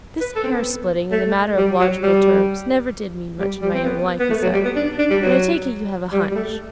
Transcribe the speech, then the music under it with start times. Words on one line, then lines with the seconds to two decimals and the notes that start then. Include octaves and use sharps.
"This hair-splitting in the matter of logical terms never did mean much in my young life," he said, "but I take it you have a hunch."
0.21 B4
0.36 A4
0.44 C4
0.51 B3
1.12 A3
1.57 G3
1.80 F#3
2.03 G3
3.39 G3
3.62 G3
3.74 C4
3.85 B3
4.20 B3
4.31 A3
4.42 F#3
4.53 G3
4.65 B3
4.76 D4
4.99 D4
5.11 G3
5.22 F#3
6.13 G3
6.31 G3
6.35 A3